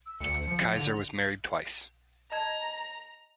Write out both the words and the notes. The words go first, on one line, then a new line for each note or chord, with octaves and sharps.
Kaiser was married twice.
E6
D2 C#7
F3
D3 F7
D#5 A5 A#5 G#6